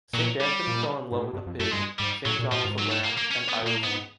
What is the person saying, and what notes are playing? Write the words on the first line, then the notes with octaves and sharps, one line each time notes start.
Saint Anthony fell in love with a pig, Saint John with a lamb, and I with you.
A#2 F#3
G3
A#2
G#2
A2
G2
F2
F#2 A3
G2 G#3
G#2 G3
A2 F#3
A#2
A2 F3
G#2
F#3
A3
A#3
A#3
C#4
B3
A#2 A#3
A2
G#2 B3